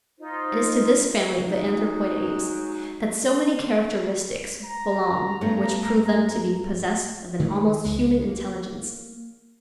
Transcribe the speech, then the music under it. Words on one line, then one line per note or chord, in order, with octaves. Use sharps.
It is to this family of the anthropoid apes that so many characteristics belong which prove them to be possessed of an almost human intelligence.
D#4 F4 C5
F#3 G#3 D#4
A#5
G2 A3 B3
D#3 E3 F#3 A3
C#2 G#3
A#3